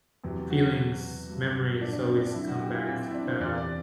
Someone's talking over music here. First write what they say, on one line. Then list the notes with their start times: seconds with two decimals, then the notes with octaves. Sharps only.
feelings, memories always come back, uh,
0.24 E2 C3 F#3
0.50 F#4
1.29 G2 F#3
1.82 D4
1.93 D4
1.99 C4
2.17 D4
2.27 D4
2.34 F#2 D3 F#3 E4
2.48 F#4
2.61 G4
2.74 E4
2.87 C4
3.01 C4
3.07 E4
3.14 D4
3.27 C5
3.40 E2 C3 E3 D5
3.58 D5